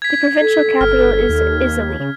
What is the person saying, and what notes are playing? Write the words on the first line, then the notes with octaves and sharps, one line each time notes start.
The provincial capital is Isale.
G#6 B6
A4
G1 F6
D#2
C#3